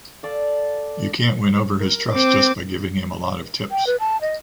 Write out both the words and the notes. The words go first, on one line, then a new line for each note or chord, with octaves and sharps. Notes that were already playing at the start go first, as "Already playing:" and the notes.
You can’t win over his trust just by giving him a lot of tips.
A4 D5 F5
A#4
C4 D6
G5
B4
A5
D#5